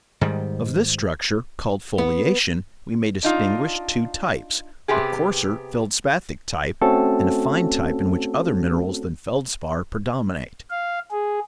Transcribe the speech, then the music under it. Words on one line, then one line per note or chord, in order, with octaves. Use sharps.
Of this structure, called FOLIATION, we may distinguish two types,--a coarser feldspathic type, and a fine type in which other minerals than feldspar predominate.
G#2 D#3 G3
B3
D4 D#4 F4
C3 B3 G4 G#4
A3 C4 C#4 F#4 A4
F5
G#4